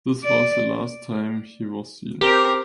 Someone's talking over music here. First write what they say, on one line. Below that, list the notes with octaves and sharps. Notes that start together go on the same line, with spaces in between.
This was the last time he was seen.
D5
C4 G4 A#4